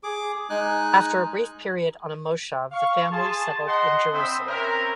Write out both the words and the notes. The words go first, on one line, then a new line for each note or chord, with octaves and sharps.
After a brief period on a "moshav", the family settled in Jerusalem.
G#4 D6
G#3 D#4 G#5 F#6
F5 C#6
G#4 A5 C6
D#5 F#5 C6
C4 D4 C5 E5 B5 D#6
C4 C#4 E4 A#4